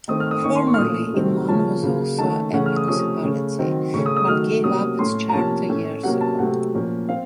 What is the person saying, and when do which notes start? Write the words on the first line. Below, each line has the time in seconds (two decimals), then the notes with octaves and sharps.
Formerly, Inman was also a municipality, but gave up its charter years ago.
0.08 D#3 A3 C4 D#6
0.20 F6
0.31 D#6
0.43 D#3 A#3 C#4 C#6
0.56 C6
0.67 C#6
0.74 F6
0.78 A#2 A3 C#4 D#6
1.13 C3 D#3 F#3 A3 C4
1.48 C#3 F3 A#3 C#4 A5
1.83 C#3 F#3 A#3
2.18 D#3 A3 C#4 A5
2.53 C#3 A3 C#4 F#5
2.66 F6
2.76 D#6
2.88 C3 F3 A3 C#4 D#6
3.23 C#3 A3 C#4
3.59 D#3 F#3 C4
3.94 C#3 A3 C#4 C#6
4.06 D#6
4.17 D#6
4.28 D#3 F#3 A3 F6
4.64 C3 F#3 A#3 C#4 D#6
4.99 A2 A3 C#4 C6
5.29 A#5
5.33 C3 F3 A#3 C#4 A5
5.69 A2 A3 C#4
6.03 C3 F#3 A#3 C#4 F#5
6.21 A5
6.39 C3 F#3 A3 F#5
6.74 A#2 F3 A#3 C#4
7.09 C4 F5